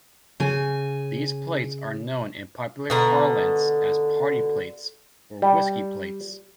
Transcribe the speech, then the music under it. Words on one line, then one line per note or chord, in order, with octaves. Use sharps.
These plates are known in popular parlance as "party plates" or "whiskey plates".
C#3 G#5
B2 D3 A#5
G3